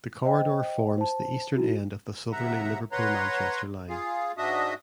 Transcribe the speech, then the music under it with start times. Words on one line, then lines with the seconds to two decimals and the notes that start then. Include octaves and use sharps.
The corridor forms the eastern end of the southerly Liverpool–Manchester line.
0.25 C5 D#5 G5
0.98 C5 A5
1.56 D#4 E4 F#4
2.32 D#2 C3 E5 F#5 A#5
2.92 B4 C#5 F#5 A#5 C6
3.89 F4 G#4 F5
4.37 G#2 D4 F#4 D#5 E5 D#6